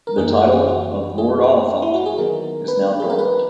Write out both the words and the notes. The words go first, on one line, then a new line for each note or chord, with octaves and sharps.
The title of Lord Oliphant is now dormant.
A#4
F#2 E3 A#3 D#4 G#4
F#4
G#4
E4
F#4
G#4
D#3 F#3 B3 D#4 A#4
B4
G#4
A#4
B4